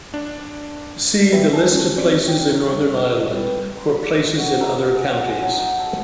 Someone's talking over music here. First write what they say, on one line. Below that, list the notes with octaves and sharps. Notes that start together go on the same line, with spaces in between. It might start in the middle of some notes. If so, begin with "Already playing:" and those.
See the List of places in Northern Ireland for places in other counties.
D4
B3 B4 E5 G5
B4 G#5 A5
C#4
F#3 C4 G4 C#5 D5
D#5 F5 G5
F2 D#3 D#4 E5
D2 D3 G3 E5
A#3 D#5
G4
G3 B3 C4 B4
C6
B5
D5
F#4
A#5
B3
G#4
C#4
G#5
F#3
D#4
A4